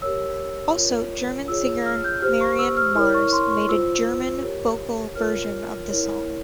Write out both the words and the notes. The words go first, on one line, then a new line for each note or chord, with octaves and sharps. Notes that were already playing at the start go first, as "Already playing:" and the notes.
Also German singer Marion Maerz made a German vocal version of the song.
G4 A#4 C#5 E6
F4 A#4 C#5
F4 G#4 C#5 E6
F6
G6
G4 C5 F6
C#6
E6
F6
E4 A#4 C#5 F6
C#6
C6
C#6
F4 C5 E6
G4 A#4 C#5
F4 A#4 C#5 F6
E4 A#4 C#5